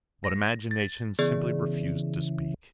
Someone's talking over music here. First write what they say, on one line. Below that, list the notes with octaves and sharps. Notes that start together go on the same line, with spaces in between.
But imagination simply refused to speak.
A#6
A6
C#3 E3 B3 G#4 D5